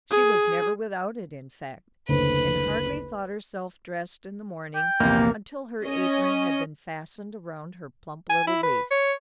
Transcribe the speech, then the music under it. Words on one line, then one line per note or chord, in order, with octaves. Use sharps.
She was never without it, in fact, and hardly thought herself dressed in the morning until her apron had been fastened around her plump little waist.
G#4
F#1 D2 B4 C5
G5
A#1 E2 C3 A#3
C#4 C#5 D#5
G#5
E4
B4
C#5